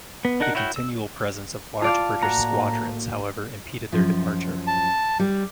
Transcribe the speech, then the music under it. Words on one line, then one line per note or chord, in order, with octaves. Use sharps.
The continual presence of large British squadrons, however, impeded their departure.
B3
D4 D#4 A#4 F#5
E4 F#4 C#5 G5
E6
F4 D5 F5 A5
A2 A#3 F#4 A#5
F#2 F3
A5
G3